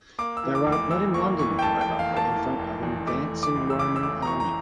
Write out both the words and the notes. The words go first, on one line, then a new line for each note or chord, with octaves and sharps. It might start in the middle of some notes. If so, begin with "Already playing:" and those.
They arrive not in London, however, but in front of an advancing Roman army.
A#3 D6
E6
E3
D6
F1
D6
E2 E6
A#3 C#6
E3 C#6
G5
F1 A5
G5
E2
F5
A#3
A5
E3
F1
E2
A3 D6
E3
D6
C#2
E6
C#3 D6
E6
A3 D6
A#5
E3 C#6
A#5